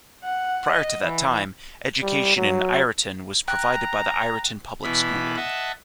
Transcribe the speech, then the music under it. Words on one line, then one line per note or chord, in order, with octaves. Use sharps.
Prior to that time, education in Ireton was provided by the Ireton Public School.
F#5
D#5
E3
G3
F#3
G5 A#5 F#6
B2 E3 E4 B5
D#5 E5 F#5 A5